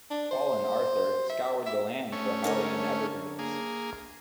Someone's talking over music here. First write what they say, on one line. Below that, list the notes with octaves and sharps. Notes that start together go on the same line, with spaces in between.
Paul and Arthur scoured the land for holly and evergreens.
D4
C5
E5
E5
A3 C#4
D3 A#4 C#5
A#3 G#4